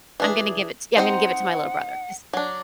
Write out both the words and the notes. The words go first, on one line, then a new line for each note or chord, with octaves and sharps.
I'm gonna give it t yeah, I'm gonna give it to my little brother. His
E3 D4 G#4
C4 D#4 C5 F#5
F#3 D4